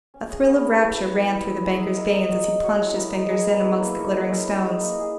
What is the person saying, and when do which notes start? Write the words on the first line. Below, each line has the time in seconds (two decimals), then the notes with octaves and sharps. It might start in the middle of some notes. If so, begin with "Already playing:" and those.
A thrill of rapture ran through the banker's veins as he plunged his fingers in amongst the glittering stones.
0.14 C#4
0.30 G#4 C#5
0.47 B3
0.63 E4 A#4
0.81 B3
0.97 F#4 C#5
1.13 B3
1.30 E4 G#4
1.46 E4
1.63 G#4 B4 E5
1.80 D#4
1.97 A#4 C#5 E5
2.13 D#4
2.29 F#4 C#5
2.46 D#4
2.63 F#4 C#5 E5
2.80 E4
2.96 A#4 D#5
3.13 D#4
3.30 G#4 B4
3.46 F#3
3.63 B3 E4
3.79 A#3
3.96 D#4 A#4 C#5
4.13 F#3
4.30 C#4 E4 B4
4.46 D#4
4.62 G#4 D#5
4.79 A#3
4.96 E4 G#4